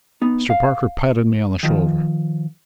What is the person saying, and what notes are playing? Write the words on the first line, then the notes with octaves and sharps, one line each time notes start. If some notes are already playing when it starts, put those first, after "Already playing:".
Mr. Parker patted me on the shoulder.
B3 D#4
F5
D#3 F3